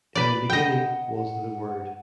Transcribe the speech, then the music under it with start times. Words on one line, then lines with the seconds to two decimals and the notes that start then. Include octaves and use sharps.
In the beginning was the Word.
0.15 B4 D5
0.50 D#5 F#5 G5
1.12 F#5